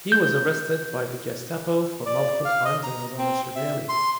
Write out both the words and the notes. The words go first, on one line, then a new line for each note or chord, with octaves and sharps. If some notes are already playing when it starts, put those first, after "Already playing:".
He was arrested by the Gestapo for multiple times and was under surveillance.
G6
D5
F5
D#5
A#5
C4
E5
C6